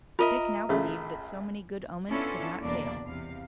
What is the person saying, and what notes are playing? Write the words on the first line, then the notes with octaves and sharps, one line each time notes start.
Dick now believed that so many good omens could not fail.
F4 A#4 D#5 E5
A#1 C#3 A3
B3 C#4 D4 E4 F4 A4
E2 B2 G3 A#3 D4 D5
E2 C3 F5